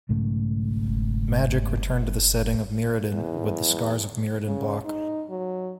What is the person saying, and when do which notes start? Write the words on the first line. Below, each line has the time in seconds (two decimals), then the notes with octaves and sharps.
"Magic" returned to the setting of Mirrodin with the Scars of Mirrodin block.
0.09 B1 G#2 C#3 A3
3.14 E2
4.47 C#3
4.85 D#4
5.30 F#3